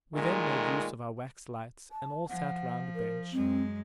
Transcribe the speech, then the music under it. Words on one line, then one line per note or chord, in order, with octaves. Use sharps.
We then made use of our wax lights, and all sat round a bench.
A#2 D#3 G#3 A3
A5
F3 F#5
A#4
F#2 G#3 C4